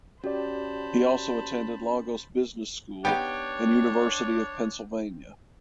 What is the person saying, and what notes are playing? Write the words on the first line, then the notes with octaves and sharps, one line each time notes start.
He also attended Lagos Business School and University of Pennsylvania.
C#4 F#4 G4 C5 D5 A5 B5
B3 D4 D#4 G4 C#5 G5